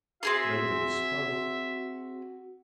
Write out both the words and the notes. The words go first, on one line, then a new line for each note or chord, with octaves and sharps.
Nobody spoke.
C4 F#4 G#4 E5 C6